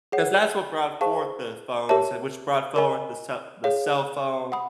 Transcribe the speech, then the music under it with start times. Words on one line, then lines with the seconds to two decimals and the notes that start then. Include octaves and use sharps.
'Cause that's what brought forth the phones and which brought forward the cell the cell phone
0.12 G#4 C#5 F#5
1.01 G#4 C5 F5 A5 C#6
1.89 G4 A#4 C#5 E5 A5
2.76 A#4 D#5 G#5
3.64 G#4 C#5 F5
4.52 F#5 B5 D#6